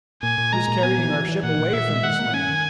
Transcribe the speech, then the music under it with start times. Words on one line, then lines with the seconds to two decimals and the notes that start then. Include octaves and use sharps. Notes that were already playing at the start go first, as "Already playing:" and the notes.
It is carrying our ship away from this land.
0.23 A#2 G#5
0.38 A#2
0.52 G#3 A#5
0.68 A#2
0.83 B3 G#5
0.98 E3
1.13 E3
1.28 E3
1.43 A#2 F#5
1.58 A#2
1.73 A#2 E5
1.88 G#3
2.03 D#3 F#5
2.19 A#3
2.34 C#4 G#5
2.49 D#3